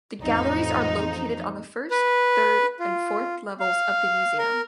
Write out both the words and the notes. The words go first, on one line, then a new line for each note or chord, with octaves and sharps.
The galleries are located on the first, third and fourth levels of the museum.
A1 F2 D#4
B4
F4
F5
A#4